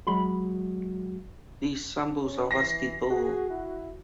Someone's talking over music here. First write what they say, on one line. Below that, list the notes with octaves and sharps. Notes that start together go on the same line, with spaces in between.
These symbols are listed below.
F#3 G#3 F#4 B5
C#4
E3 A#6 C7
F#4 G#4
E4